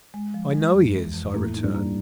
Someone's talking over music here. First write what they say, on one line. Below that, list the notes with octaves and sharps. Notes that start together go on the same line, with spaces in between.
"I know he is," I returned.
G#3
F3
G#3
F2
E3
F2
A2 A3 A#3
D#4
G2 G3
A#3